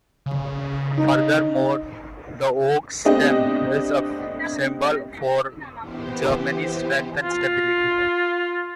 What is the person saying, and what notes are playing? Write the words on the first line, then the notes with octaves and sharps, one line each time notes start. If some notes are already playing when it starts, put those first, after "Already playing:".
Furthermore, the oak's stem is a symbol for Germany's strength and stability.
C#3
D#4
A3 B3 C4 D4 G4 D#5
E3 B3 G4 C5
F4